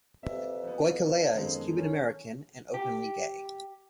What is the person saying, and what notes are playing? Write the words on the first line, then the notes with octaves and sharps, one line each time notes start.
Goicolea is Cuban-American and openly gay.
F2 C4 G4 A4 B4 E5
F3 B3 C4
F#2 D#3 F3 G#3 B3 D4 A4
C#4 E4 A4 A#4
G4